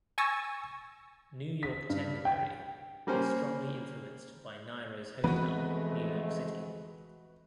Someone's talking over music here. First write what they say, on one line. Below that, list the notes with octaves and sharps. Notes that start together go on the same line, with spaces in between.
"New York Tendaberry" is strongly influenced by Nyro's hometown, New York City.
G#5 C#6 E6 A6 A#6
B6
G2
G5
G3 A#3 C#4 C5
F2 E3 G#3 A3 B3 C4 F#4 B4